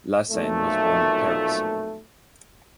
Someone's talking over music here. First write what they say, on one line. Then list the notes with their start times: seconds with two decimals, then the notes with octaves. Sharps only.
Lassaigne was born in Paris.
0.31 B1 F2 A#2 A3